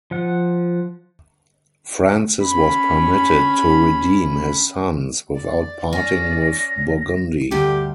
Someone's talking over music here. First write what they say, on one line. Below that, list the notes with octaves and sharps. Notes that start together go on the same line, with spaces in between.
Francis was permitted to redeem his sons without parting with Burgundy.
F3 F#5
C#4 B5
D5
C#4 A#6
D2 G2 G4